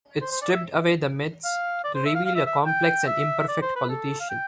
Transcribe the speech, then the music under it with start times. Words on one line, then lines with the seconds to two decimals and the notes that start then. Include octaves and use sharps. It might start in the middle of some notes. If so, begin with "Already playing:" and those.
It stripped away the myths, to reveal a complex and imperfect politician.
0.21 C5
0.32 C5
0.42 D5
0.52 E5
1.44 F5
1.84 D5
1.95 C5
2.06 E5
2.15 F5
2.26 F5
2.36 E5
2.46 E5
2.66 G5
3.07 E5
3.48 D5
3.62 C5
3.76 B4
3.89 A4
4.20 F5
4.30 G5